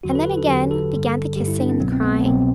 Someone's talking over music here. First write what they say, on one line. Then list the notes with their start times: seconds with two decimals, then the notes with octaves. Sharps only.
And then again began the kissing and the crying.
0.03 E2 D3 F#3 F#4
0.11 B4
0.15 A4
0.25 B4
0.37 A4
0.47 E2 D3 F#3 G4
0.71 A4
0.93 G2 D3 G3
1.36 G2 D3 G3 G4
1.48 E4
1.59 D4
1.70 C4
1.80 C2 B2 F#3 B3
1.92 C4
2.03 B3
2.20 B3
2.25 C2 B2 F#3 C4